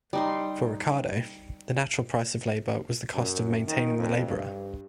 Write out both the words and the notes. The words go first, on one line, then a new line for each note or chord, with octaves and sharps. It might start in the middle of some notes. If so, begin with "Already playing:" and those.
For Ricardo, the natural price of labor was the cost of maintaining the laborer.
G3 D#4 C6
F#2
D#3
F2
G2